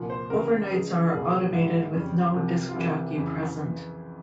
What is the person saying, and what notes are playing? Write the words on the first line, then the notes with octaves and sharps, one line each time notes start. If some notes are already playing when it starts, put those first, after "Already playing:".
Overnights are automated with no disc jockey present.
Already playing: C2 A#2 F3
C5
E2 C#3 G3 A#4
C#2 C#3 F3 G#4
C2 A#2 G3 G#4
G#2 G3 E4
F2 C#3 G3 C#4
C2 C3 F3
F4
C2 C3 E3 G3 E4
F2 C#3 E3